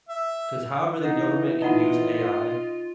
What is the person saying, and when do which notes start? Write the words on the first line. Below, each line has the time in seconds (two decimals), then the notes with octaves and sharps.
'Cause however the government can use AI,
0.09 E5
1.01 E3 D#4 D#5 F#5
1.62 D#4 F4 D#5 F#5 B5